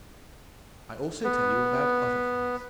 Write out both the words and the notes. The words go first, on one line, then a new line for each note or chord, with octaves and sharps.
I also tell you about other things.
B3